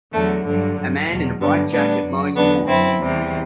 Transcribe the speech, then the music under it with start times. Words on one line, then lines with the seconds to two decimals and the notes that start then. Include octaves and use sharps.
A man in a bright jacket mowing a lawn.
0.13 E2 D3 F#3 A3
0.45 G2 D3 F#3
0.77 G2 F#3
1.09 E2 B2 F#3
1.40 G2 D3 F#3 B3 D4
1.72 A2 G3 B3 D4
2.04 F#2 F#3
2.36 E2 D3 F#3 B3 D4
2.68 F#2 F#3 C4 E4
3.00 E2 C3 E3 G3